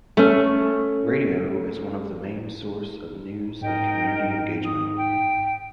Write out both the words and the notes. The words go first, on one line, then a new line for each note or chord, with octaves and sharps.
Radio is one of the main source of news and community engagement.
A3 C#4
G#2 A#4 D#5 G5
D#6
G5